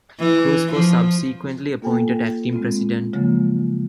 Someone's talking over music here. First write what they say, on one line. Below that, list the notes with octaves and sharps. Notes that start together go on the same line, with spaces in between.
Cruz was subsequently appointed acting president.
E3
F3
A#3 F4 A4 G5 G#5
G#3 B3 C4 F4
C#3 F3 F#3 G#3 A#3 F4